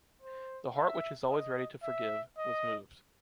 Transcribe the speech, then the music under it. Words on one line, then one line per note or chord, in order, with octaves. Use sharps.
The heart which is always ready to forgive, was moved.
C5
E5
D#5
E5
D#5